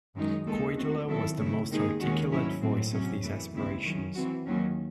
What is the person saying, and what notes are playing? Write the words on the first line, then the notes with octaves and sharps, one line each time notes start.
Koidula was the most articulate voice of these aspirations.
F#2 D#3 G#3 D#4
D#2 D#3 G#3 D#4 A4
D#3 A3 C4 F#4
D#3 F#3 C4 E4 A4
C#3 F#3 A3 C4 E4
D#2 D#3 G#3 D#4 G#4
D#2 D#3 G#3 C#4 F#4
G#2 F#3 C#4 E4
A2 F#3 C4
C3 F#3 C#4
F#2 E3 A3
D#2 C#3 G#3 C4 E4
D#3 F#3 C#4
E3 C4 F#4
D#2 D#3 F#3 C#4